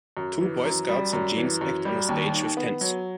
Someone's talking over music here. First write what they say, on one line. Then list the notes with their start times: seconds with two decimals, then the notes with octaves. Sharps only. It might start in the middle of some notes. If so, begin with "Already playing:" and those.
Two boy scouts in jeans act on a stage with tents.
0.17 F#2
0.41 E3
0.65 F#2
0.89 G3
1.13 F#2
1.37 E3
1.61 F#2
1.85 G3
2.09 D#2
2.33 D#3
2.57 B3
2.81 F#3